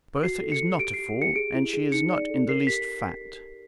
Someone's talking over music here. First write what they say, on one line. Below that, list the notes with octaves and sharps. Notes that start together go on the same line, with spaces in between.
Bertha is not a fool, and she is not in the least fat.
F#4 C7
A4
C#7
F#4
G4 D7
G4 C7
G4 C#7
G#4 D7
E4
G#4
D#4 C#7
D5
A4
A#4 C7
G4 B6